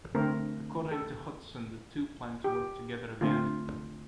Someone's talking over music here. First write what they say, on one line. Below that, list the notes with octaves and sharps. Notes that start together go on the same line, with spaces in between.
According to Hutson, the two plan to work together again.
D3 A3 C4 A#4
A4
G4
D3 A3 C4 F4